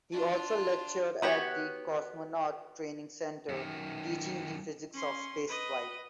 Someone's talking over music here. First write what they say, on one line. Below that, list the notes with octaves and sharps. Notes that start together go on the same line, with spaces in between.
He also lectured at the Cosmonaut Training Centre, teaching the physics of spaceflight.
D4 F4
B3 F#4 G4 C#5
F#2 D#3
C#4 C6
B4 D#5